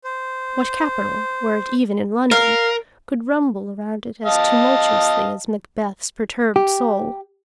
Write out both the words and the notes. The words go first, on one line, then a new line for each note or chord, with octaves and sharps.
What capital, were it even in London, could rumble around it as tumultuously as Macbeth's perturbed soul?
C5
A#4 F5
D#5 F5 A5
G4